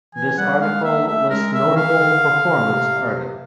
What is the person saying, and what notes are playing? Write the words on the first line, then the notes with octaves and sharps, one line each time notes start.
This article lists notable performance artists.
E3 G#5
G3 F#5
G#3 F5
A#3 E5
A3 E5
G#3 A#4
E5
E3
F5
D3
D3
C3
C3